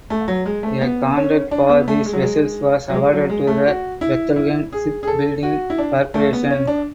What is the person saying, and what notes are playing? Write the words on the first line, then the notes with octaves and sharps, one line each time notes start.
A contract for these vessels was awarded to the Bethlehem Shipbuilding Corporation.
A3
F#3
G#3
A3
B3
C#4
D4
B3
A3
G#3
F#3
G#3
F#3
G#3
F#3
G#3
A3
F#4
E4
E4
G#4
G#4
A4
F#4
E4
D4
A3
B3
C#4
D4